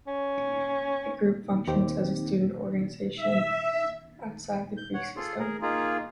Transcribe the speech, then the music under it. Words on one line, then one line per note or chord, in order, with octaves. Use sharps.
The group functions as a student organization outside the Greek system.
C#4
D#2 C4 G4
E5
G6
C#5 F#5
F4 G#4 A4 C6
G#4 A#4
A#3 D#4 F4 G#4